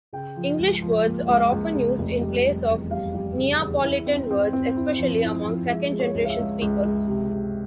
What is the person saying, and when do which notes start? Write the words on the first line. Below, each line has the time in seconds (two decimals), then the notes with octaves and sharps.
English words are often used in place of Neapolitan words, especially among second-generation speakers.
0.13 C#3 G5
0.37 F3
0.59 C#2
0.82 F3
1.06 A#3
1.28 C#2
1.52 C#2
1.75 C#3
1.98 F1
2.21 G3
2.44 G3
2.68 E2
2.91 G3 F5
3.14 G3
3.37 C#3
3.60 E2
3.83 E4
4.06 C4
4.31 C4
4.53 C4
4.76 E4
4.99 F3
5.23 E4
5.46 F3
5.68 G#3 E5
5.92 G#3
6.00 C#5
6.15 C#2
6.25 F5
6.30 E5
6.39 C#2
6.62 C#2
6.85 G#3
7.08 C3
7.31 C3